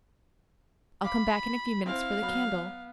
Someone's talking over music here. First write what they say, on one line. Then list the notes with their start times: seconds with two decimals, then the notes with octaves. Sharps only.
I'll come back in a few minutes for the candle.
1.04 F5 B5 D6
1.86 C4 E4 C5 F5
2.22 F#3 B3 B5